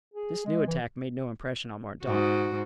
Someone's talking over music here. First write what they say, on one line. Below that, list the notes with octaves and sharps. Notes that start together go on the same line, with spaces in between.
This new attack made no impression on Mordaunt.
G#4
G#3
E3
G#2 F#4